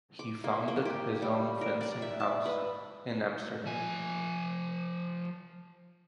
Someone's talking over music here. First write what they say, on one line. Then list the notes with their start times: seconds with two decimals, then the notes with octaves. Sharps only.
He founded his own fencing house in Amsterdam.
0.19 D6
0.44 A#3
0.68 A#3
0.85 G4
1.22 G3
1.61 A#4
1.81 D5
2.02 E5
2.20 A5
2.46 B4
3.65 F3 G#5